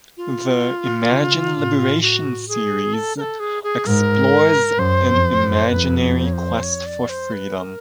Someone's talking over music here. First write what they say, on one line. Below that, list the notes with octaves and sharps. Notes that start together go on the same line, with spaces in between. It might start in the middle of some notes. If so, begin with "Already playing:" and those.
The "Imagine Liberation" series explores an imaginary quest for freedom.
F4
C#3
A2
F#4
G#4
A4
A#4
A4
G#4
G#4
G#2 A#4
F#2 C5
F2
F#2
F2 B4
C5
C#5
C5
C#5
D5
C5
B4
A#4